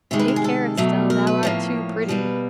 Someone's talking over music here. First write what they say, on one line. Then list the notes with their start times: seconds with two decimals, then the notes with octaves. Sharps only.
Take care, Estelle, thou art too pretty!
0.11 C3 D#3 G#3 C#5
0.19 B4
0.28 A#4
0.36 G#4
0.44 A4
0.77 B2 F#3 A3
1.10 A#4
1.27 B4
1.43 A2 F3 A#3 C#5
2.08 B2 G3 A#3 B4